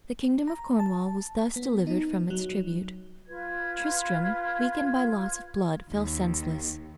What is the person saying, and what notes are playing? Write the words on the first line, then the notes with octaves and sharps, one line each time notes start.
The kingdom of Cornwall was thus delivered from its tribute. Tristram, weakened by loss of blood, fell senseless.
A#5
A5
B3
D#4
F#3
F4 B4 G#6
D#2